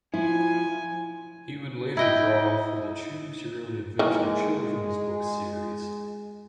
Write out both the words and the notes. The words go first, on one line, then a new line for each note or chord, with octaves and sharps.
He would later draw for the Choose Your Own Adventure children's book series.
F3 E4 G#5
E4 D#5 G5
D#3 E3 G#3 A#3